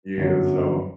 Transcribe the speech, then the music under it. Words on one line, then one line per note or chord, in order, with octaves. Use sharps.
Yeah, so
G1 F#2 F#3